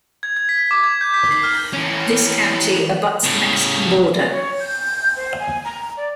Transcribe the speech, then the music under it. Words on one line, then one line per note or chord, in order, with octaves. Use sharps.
This county abuts the Mexican border.
G#6
G#6
B6
D6
G#6
G6
B6
C7
F6
E3 C#4
A2 C#3
C#5
G6
C5
G#5
A#5
D5